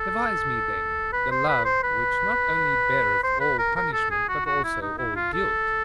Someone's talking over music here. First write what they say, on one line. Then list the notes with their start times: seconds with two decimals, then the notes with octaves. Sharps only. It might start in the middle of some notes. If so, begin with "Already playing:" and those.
Devise me, then, the love which not only beareth all punishment, but also all guilt!
Already playing: A4
1.12 B4
1.31 C5
1.48 B4
1.65 C5
1.83 B4
3.23 C5
3.40 B4
3.58 A#4
3.76 A#4
3.93 A4
4.11 G#4
4.29 F#4
4.45 F#4
4.64 E4
4.82 D#4
4.98 E4
5.15 F4
5.33 A4